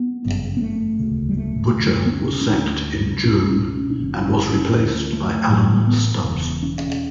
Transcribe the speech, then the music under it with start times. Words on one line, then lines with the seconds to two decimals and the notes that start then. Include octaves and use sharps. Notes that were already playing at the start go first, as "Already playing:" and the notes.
Butcher was sacked in June and was replaced by Alan Stubbs.
Already playing: B3
0.25 G1 F#2 C#3
0.57 B3
0.62 A3
1.00 E1 D2 C#3
1.29 G3
1.37 A3
1.75 D2 D3
2.06 B3
2.12 C#4
2.42 C#4
2.50 D2 D3 D4
3.24 C#2 B2 C#4
3.38 D4
3.51 C#4
3.90 D4
3.99 F#1 F#2 D3 C#4
4.37 C#4
4.76 D2 D3
5.13 A3
5.49 A1 A2 F#3
5.64 G3
5.75 A3
5.88 B3
6.24 E1 E2 C#3
6.63 C#4